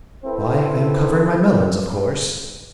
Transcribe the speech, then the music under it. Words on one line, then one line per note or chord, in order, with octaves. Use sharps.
"Why, I am covering my melons, of course!"
C4 E4 A4 B4 C5